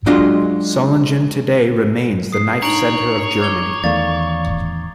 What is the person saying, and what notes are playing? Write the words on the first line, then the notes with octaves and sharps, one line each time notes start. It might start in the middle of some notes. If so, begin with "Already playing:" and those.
Solingen today remains the knife-centre of Germany.
F#3 G#3 D4 F4 D#5 F5
D#6 C7
D4 D#4 C#5 A#5 D7 F#7
D6 G#6 G7
E2 D#3 A3 D5 F5 A6